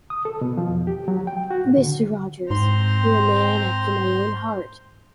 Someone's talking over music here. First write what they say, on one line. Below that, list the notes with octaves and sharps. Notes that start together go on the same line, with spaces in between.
Mr. Rogers, you're a man after my own heart.
D#6
A4
B2
F3
F2
G4
F#3
G5
F#4
A2
D3
G#2 C4 C5 A#5 C6